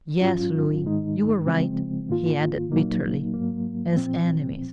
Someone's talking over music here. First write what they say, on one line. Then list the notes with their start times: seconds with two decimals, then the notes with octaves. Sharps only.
"Yes, Louis, you are right," he added bitterly,--"as enemies."
0.20 G#2 F#3 C#4 F4
0.84 G#2 D#3 G#3 D#4
1.46 C#3 F3 G#3 C4
2.09 G#2 D#3 A#3 F4
2.71 A#2 F#3 A#3 D#4
3.34 G#2 F#3 A#3
3.97 A#2 F3 C4